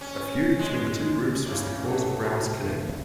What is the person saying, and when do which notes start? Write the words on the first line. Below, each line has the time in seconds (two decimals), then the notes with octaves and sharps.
A feud between the two groups was the cause of Brown's killing.
0.01 C#4
0.59 G#3
1.46 C#3 C#4 E4 D5
1.88 B2 F#3 A3
2.22 C3 A3
2.64 G2